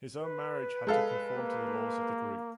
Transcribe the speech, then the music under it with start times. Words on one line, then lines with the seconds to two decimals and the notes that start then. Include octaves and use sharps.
His own marriage had to conform to the laws of the group.
0.21 B4
0.87 G#3 A4 F5
1.36 A#3